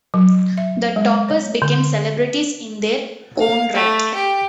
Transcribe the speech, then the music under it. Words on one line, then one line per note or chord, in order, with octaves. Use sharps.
The Toppers became celebrities in their own right.
F#3
E5
G#3
C#5
D3
F5
A3
G4